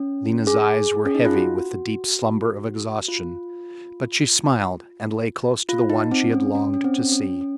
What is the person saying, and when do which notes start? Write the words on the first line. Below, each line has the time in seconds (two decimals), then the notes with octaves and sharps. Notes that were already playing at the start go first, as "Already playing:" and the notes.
Lena's eyes were heavy with the deep slumber of exhaustion, but she smiled and lay close to the one she had longed to see.
Already playing: C#4
0.47 G#4
1.05 C#4
1.15 D#4
1.25 F4
1.34 F#4
3.08 F4
5.69 F4
5.90 D#4
6.11 C4
6.33 C#4
6.55 C#4
6.74 C#4
6.84 C4
7.12 C#4
7.41 C#4